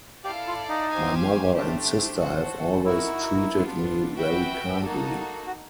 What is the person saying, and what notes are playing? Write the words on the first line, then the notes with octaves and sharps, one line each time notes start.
My mother and sister have always treated me very kindly.
E4 G4 A4 D5 F5
F4
D#4
G4 C5 F5 G#5
A3 D4 G4 C5
F#4 A4 C5
D#4 E4 F#4 A#4
B3 D4 F4
F#4 B4 E5 G5
A#3 D#4 F#4 A4
F#4